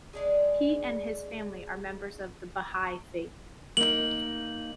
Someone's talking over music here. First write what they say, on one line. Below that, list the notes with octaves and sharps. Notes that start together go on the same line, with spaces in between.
He and his family are members of the Baha'i Faith.
G#3 D4 G#4
A#3 D#4 F#7